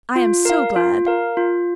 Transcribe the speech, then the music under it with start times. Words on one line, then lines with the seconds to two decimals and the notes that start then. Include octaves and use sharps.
I am so glad.
0.16 F4
0.45 A#4 F5
0.76 F4
1.07 A#4 F5
1.37 F4